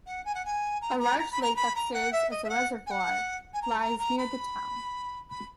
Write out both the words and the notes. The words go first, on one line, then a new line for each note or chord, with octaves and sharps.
A large lake that serves as a reservoir lies near the town.
F#5
G#5
F#5
G#5
A#5
A#5
A#5
B5
A#5
B5
A#5
F#5
E5
D#5
E5
F#5
G#5
F#5
G#5
A#5
A#5
A#5
B5
B5